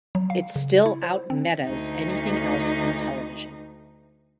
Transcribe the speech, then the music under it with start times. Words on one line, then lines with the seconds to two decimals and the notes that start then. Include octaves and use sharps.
It still out-metas anything else on television.
0.15 F#3
0.30 F5
0.56 C#3
0.86 E4
1.03 C5
1.30 C4
1.64 D2 D#4